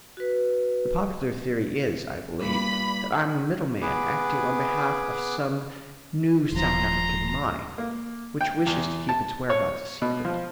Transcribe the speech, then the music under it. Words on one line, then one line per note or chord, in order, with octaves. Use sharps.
The popular theory is, I believe, that I am a middleman acting on behalf of some new South African mine, which wishes to keep its whereabouts a secret.
F#4 B4
G2 A#2 B5
B3 G#4 B4 D6
D#1 F3 A#5 C6
A#3
G5
E2
A5
C#5
B2
F3